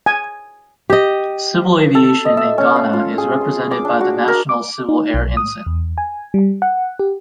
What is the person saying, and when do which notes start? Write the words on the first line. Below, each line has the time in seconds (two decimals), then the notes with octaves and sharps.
Civil aviation in Ghana is represented by the national civil air ensign.
0.06 G#5
0.90 G4 D#5
1.95 A4
2.25 D#5
2.37 E5
2.58 C#4
2.76 F5
2.93 F4
3.18 G#4
3.41 C6
3.71 D6
3.85 D4
4.01 F#4
4.28 A#4
4.49 D6
4.89 D#4
5.14 B1
5.37 D#6
5.66 E2
5.98 G#5
6.34 G3
6.62 F#5
6.99 G4